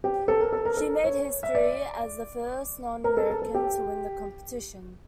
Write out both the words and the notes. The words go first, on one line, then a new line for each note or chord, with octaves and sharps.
She made history as the first non-American to win the competition.
G4
A4
A#4
A4
A#4
A4
C#5
E5
D5
A#4
A4
A4
A4
G4